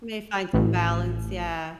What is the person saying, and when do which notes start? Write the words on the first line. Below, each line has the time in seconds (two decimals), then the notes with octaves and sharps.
We may find some balance, yeah.
0.53 A1